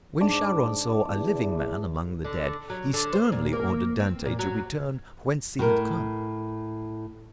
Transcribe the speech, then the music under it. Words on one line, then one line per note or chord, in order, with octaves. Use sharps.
When Charon saw a living man among the dead he sternly ordered Dante to return whence he had come.
G#2 D4 D6
E2
D3
F#3
D3
C5
A#2
A#3
C4
A#2
F#3
A2 A#4